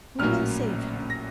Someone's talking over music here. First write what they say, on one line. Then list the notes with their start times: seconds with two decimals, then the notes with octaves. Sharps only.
We will save him.
0.19 A#1 A2 F#3 A#3 C#4 F6
1.10 A#6